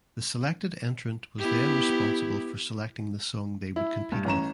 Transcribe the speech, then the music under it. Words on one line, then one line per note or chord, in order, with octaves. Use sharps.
The selected entrant was then responsible for selecting the song they would compete with.
B3 E4 G4
E4
G2
A1 C#4 A#5 E7